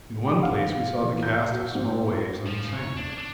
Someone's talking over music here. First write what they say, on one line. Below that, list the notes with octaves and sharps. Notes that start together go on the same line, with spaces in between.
In one place we saw the cast of small waves on the sand.
G4
F5
E3
G6
F#4
G#2
F3
C#3
C#5
D4
D4